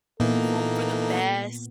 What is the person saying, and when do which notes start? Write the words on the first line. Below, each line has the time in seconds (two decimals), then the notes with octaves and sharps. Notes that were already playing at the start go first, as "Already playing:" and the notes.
hope for the best.
0.20 A#2 E3 A#3 B3 D#4 A4